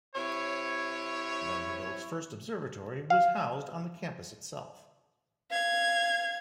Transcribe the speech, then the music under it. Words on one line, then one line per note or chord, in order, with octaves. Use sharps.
Vanderbilt's first observatory was housed on the campus itself.
C3 E4 C#5
F5
F5 G#6